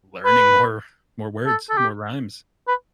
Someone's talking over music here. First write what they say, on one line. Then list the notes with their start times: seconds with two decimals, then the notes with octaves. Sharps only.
learning more more words, more rhymes.
0.25 B4
1.46 A4
1.70 A4
1.77 G4
2.68 B4